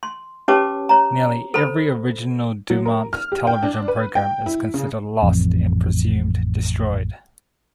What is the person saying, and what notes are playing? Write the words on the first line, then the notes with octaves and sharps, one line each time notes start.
Nearly every original DuMont Television program is considered lost, and presumed destroyed.
C6
C#4 G4 B4 C#5 A5 D6
C#5 A#5
A4 C5 B5
F#3
A#4
F6
G4
G5
D4
B4
G5
E4
C#3
A1 F2